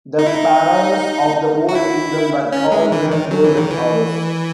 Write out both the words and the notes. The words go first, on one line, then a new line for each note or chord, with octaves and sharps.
The Pharaohs of the Old Kingdom were called the "Golden Horus".
D#4
E4
D#4
F#4
E4
C#4
G#3
E3
D#3
F#3
E3
D#3
E3